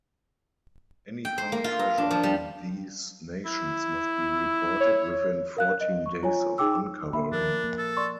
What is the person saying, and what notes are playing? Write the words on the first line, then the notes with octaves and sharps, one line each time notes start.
Any found treasure in these nations must be reported within fourteen days of uncovering.
G5
C5
A#3
F4
A#5
D4
F3
G3
E4
C#5
A#4 F5 F#6
D#5
C#6
F4 C#5 G#5
D#4 G#4 G5 D6 E6
A#3 E5 B5
F3 D4 A#4
A#3
A4
D5 C6 C#6